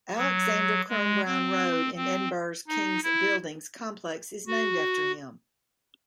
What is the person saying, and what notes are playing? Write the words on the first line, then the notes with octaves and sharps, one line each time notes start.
Alexander Crum Brown Road in Edinburgh's King's Buildings complex is named after him.
F#3
G#3
C4
C4
D#4
E4
F#4